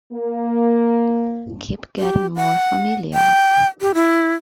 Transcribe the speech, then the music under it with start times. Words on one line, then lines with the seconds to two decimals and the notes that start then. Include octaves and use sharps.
Keep getting more familiar!
0.13 A#3
1.99 G4
2.36 F#5
3.14 G5
3.81 G4
3.94 E4